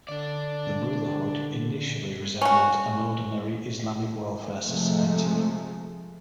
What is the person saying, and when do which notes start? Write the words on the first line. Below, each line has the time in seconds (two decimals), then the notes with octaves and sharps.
The Brotherhood initially resembled an ordinary Islamic welfare society.
0.09 D3 D4 D5
2.41 C#4 F#4
4.63 C3 F3 G#3 A3